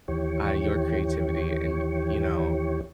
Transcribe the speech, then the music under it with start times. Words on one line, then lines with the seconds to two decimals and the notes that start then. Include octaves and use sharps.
uh, your creativity and, you know,
0.08 D#2 E3 G4 C#5